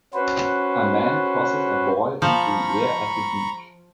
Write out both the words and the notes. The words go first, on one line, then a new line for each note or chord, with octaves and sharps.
A man tosses a boy into the air at the beach.
C#4 F#4 B4 C5
F3 A#5 B5 C#6